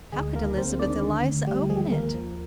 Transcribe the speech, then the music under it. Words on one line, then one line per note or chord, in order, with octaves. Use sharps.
How could Elizabeth Eliza open it?
D2 G#3 G#4
D#3 A#3 A#4
D2 C4 C5
D#3 D4 D5
D3
D2
D2 G3 G4
F3 G#3 G#4
D#2 A#3 A#4
F3